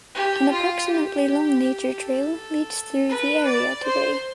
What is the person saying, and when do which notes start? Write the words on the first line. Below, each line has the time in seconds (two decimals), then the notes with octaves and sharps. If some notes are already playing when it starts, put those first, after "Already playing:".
An approximately long nature trail leads through the area today.
0.15 G4
0.51 F4
0.88 G4
1.99 A4
3.09 B4
3.46 D5
3.84 C5